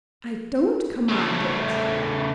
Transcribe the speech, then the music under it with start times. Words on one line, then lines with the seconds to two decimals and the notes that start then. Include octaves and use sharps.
"I don't command it!"
1.09 C#3 A3